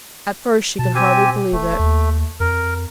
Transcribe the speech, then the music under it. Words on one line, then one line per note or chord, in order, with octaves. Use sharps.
At first she could hardly believe it.
B2 A5
C4 G4 G#5
E1 A3
D#2
F2 A#4